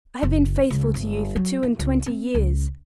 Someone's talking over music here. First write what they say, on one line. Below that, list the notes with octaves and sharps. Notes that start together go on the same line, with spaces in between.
I have been faithful to you for two-and-twenty years.
F#1
C#2
G1
F#3
E3
C#2
C4
C#2